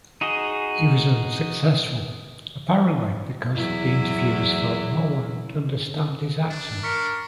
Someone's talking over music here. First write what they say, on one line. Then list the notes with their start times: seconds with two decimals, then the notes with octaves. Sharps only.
He was unsuccessful, apparently because the interviewers felt no-one would understand his accent.
0.21 D#4 F#4 G#4 D#5
3.55 E2 F#3 E4
6.50 D4
6.83 A#4 C#6 B6 C#7